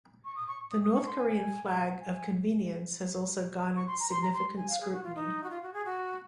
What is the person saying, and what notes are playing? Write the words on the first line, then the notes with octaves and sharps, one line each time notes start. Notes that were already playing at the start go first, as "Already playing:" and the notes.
The North Korean flag of convenience has also garnered significant scrutiny.
C#6
D#6
C#6
D#6
D#6
C#6
C6
G#5
G#5
F#5
F5
F#5
G#5
G#5
C#6
C6
A#5
C6
A#5
C6
G#5
F5
G#4
F#4
F4
D#4
F#4
F4
F#4
G#4
F#4